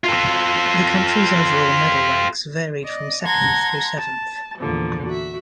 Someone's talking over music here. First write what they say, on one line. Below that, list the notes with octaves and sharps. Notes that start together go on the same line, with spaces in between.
The country's overall medal ranks varied from second through seventh.
F4 A4
D5 D#5
F#5 A5 A#5 C6 G#6 A#6
A5
E2 A#2 D3 F3
F#4 E5